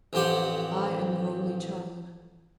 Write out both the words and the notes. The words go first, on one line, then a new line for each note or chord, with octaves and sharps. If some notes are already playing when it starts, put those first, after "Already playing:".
I am her only child.
A1 F2 C4 G4 F#5